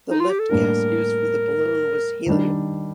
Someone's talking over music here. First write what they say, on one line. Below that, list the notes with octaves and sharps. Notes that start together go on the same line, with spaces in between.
The lift gas used for the balloon was helium.
D#4
F4
G4
A4
A2 G3 A#3 D4 G4 A#4
D#3 G3 D4